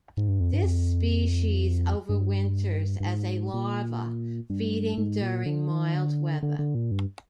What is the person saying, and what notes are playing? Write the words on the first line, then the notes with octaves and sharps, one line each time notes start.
This species overwinters as a larva, feeding during mild weather.
G#2
G2
F2
G2
F2
G2
G2
G#2
A#2
G2
G#2
A#2
D3
D#3
D3
D3
D3
A#2
G2